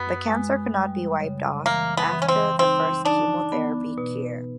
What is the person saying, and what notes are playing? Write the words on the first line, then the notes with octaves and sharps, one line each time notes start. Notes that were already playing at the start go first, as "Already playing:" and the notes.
The cancer could not be wiped off after the first chemotherapy cure.
Already playing: F#2 B3
G#3
G3
C#3
E3 A#3
B3
E3
C#4
C4
C4 D#4
D4 D#4
B3
B2